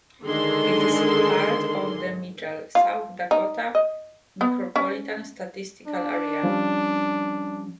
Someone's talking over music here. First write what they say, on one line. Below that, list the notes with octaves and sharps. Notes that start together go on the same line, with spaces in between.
It is part of the Mitchell, South Dakota Micropolitan Statistical Area.
D3 D#3 G#3 G#4 A4 C6
F4
D#4
D#5
B3
C#4
D4
F3 G3 C#4